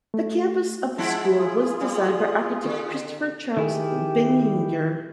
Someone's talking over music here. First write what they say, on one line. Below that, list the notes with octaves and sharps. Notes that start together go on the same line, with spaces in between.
The campus of the school was designed by architect Christopher Charles Benninger.
A3
F3 G#3 E4 F#5 A5
F4 G#4
G3
D3
D#3 E4 G4 G#4